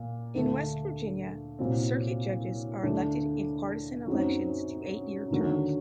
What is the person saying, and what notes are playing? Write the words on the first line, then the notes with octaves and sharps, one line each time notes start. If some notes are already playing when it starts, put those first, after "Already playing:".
In West Virginia, circuit judges are elected in partisan elections to eight-year terms.
Already playing: A#2
D2 D3 A3
C2 A#2 F#3 C4
D2 D3 A3 D4
F#2 F#3 C4 D#4
D#2 D3 F#3